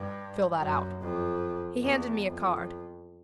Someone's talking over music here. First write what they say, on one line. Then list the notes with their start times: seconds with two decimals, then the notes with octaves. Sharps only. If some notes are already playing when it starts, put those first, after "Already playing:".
"Fill that out." He handed me a card.
Already playing: G2
0.59 F#2
1.01 F2
1.82 E2
2.23 F2